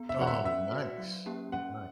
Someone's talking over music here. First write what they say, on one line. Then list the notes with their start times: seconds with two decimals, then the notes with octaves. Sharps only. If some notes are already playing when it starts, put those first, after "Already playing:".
Oh, nice. Nice.
Already playing: B3
0.09 E5
0.19 F#4 B4 D5 F#5
0.27 E5
0.45 C#4 E5
0.72 F#4 B4 D5
0.98 F#3
1.26 A#3 C#4 G4
1.52 C#4 F#5